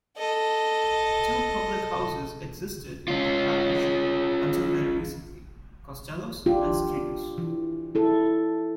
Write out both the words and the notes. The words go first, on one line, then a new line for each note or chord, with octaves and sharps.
Two public houses existed in the parish until very recently, Costellos and Screenes.
A4 D#5
C#4 F4
D4 F4 G4
E3
E4 A4